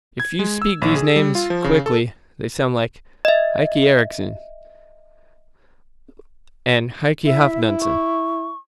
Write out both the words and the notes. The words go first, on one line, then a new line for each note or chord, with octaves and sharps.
If you speak these names quickly, they sound like Haki Ericsson and Haki Halfdansson.
G#6
G#3
E6
A#1
G#4
G3
F4
F3
C#3
A4
D#5 E5
E4 E5
C#6